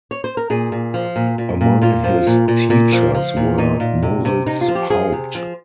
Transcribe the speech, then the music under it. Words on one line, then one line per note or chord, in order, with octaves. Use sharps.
Among his teachers were Moritz Haupt.
C#5
C5
A#4
A#2 G#4
A#2
F3
A#2
A#2
A#2
A#2 F4
F3
A#2
A#2
A#2
F3
F3
A#2
A#2 D#4
A#2
C3
C3
C3 D#4
F4
F3
G4
F3 G#4
C3
F3